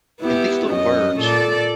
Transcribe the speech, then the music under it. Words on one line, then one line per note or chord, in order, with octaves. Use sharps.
And these little birds,
B3 E4 G4
F#2 C#4 D#5
A#2 A4 D5